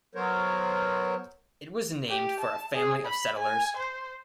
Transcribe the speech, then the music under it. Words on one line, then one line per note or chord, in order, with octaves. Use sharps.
It was named for a family of settlers.
F#3 B3 A#4 C5 C#5
G4
A5
G#4
B5
G#5
C5